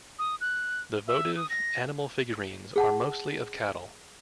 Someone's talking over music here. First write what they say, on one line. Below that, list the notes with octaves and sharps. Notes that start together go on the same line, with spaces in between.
The votive animal figurines are mostly of cattle.
D#6
F#6
E5
D#6
A#6
G#4 F#5 A5